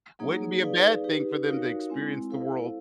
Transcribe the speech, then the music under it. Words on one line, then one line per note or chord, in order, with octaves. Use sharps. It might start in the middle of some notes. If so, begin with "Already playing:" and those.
wouldn't be a bad thing for them to experience the world
F#3 A#3 D#4 G#4 C#5
D#4 G#4 B4 D5 F5
D#4 G4 B4
D#4 F#4 A#4 C#5 F5
G#3 C4 E4
E4 A4 C5 F5